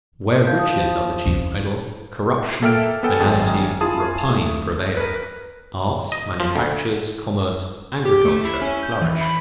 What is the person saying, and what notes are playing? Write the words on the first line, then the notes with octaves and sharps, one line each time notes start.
Where riches are the chief idol, corruption, venality, rapine prevail: arts, manufactures, commerce, agriculture flourish.
F3 G6
E4 C5 D#6
E2 C#3
A#3 A4 E5 G5 F6 D7
B3 A4 G5 G#5
G#1 F#2 G#4 G5 A6
E4 F4 G#4 A5 D#6
A3 D#6
A#4 B4
D#5
F3
D2
G4
A3
E4
C#4
G6
E3
B5